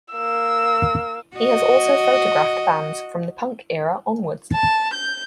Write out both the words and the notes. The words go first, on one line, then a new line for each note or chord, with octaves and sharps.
He has also photographed bands from the punk era onwards.
A#3 E6
F#4 D#5
A5
G6